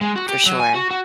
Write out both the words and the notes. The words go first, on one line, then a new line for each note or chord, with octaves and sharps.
For sure.
G#3
F#4
G4
F#3
G#5
F#4
F#4